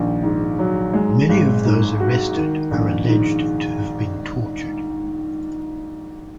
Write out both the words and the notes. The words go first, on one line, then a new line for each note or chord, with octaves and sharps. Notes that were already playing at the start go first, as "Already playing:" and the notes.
Many of those arrested are alleged to have been tortured.
Already playing: A#1 D#3
G#2
F#3
G#3
G#1
G#2
F#4
D#3
A#1
G#2